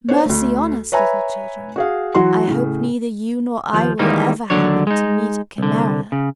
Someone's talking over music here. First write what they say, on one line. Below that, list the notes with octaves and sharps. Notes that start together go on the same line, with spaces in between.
Mercy on us, little children, I hope neither you nor I will ever happen to meet a Chimaera!
B3 D4 C5 C#5
D2 A3
B4 C#5 E5 G#5 A#5 B5
F#4 G#4 F5
E3 F#3 F#4 C6
A2 C#3
D#2 F3
D#3 E3 G3 G#3 A#3 D#4
D#2 D3 F#3 D4 C#5
G#3 D#4
C2 D3
C#3